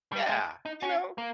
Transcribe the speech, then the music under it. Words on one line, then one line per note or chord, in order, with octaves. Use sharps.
Yeah, you know?
G3
G#3
D#4
C#4
A#3